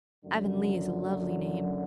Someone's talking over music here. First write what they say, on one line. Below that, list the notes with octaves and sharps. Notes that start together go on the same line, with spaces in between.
Avonlea is a lovely name.
F#1 F#2 D3 F#3